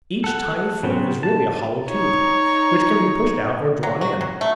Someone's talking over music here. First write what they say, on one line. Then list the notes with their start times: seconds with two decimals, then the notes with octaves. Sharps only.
Each tiny foot is really a hollow tube, which can be pushed out or drawn in.
0.24 A4 F#5
0.83 C#3 F#3 B3 C4
1.23 A5
1.89 D#4 C#5
3.83 F#3
4.01 F#4
4.21 F#3
4.41 A3